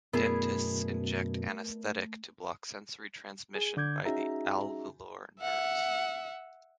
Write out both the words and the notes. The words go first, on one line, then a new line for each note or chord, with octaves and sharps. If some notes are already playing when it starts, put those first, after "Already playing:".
Dentists inject anesthetic to block sensory transmission by the alveolar nerves.
F#2 B2 A3 B3 E4 G#4 A#4 D5
G#4
D3 D6 G6 G#6
C#4 D#4 F#4 G#4 E5 A#5
E5 F#5